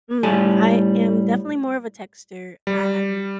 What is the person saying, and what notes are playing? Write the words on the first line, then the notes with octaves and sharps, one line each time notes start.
Mm, I am definitely more of a texter. I I'm
A2 G3 G#5 A5
G3